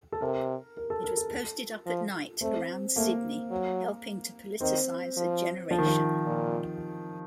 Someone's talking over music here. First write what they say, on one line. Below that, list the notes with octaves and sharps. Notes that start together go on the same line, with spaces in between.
It was posted up at night around Sydney, helping to politicise a generation.
A4
C3 A#4
A#4
A4
A#4
A4
A4
F3
A3 C4
A3 A#3
F#3
D#3 C4
F3
F3
D#3
F3
A#2